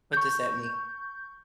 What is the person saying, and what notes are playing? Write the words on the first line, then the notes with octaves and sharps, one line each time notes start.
What does that mean?
C#6 G6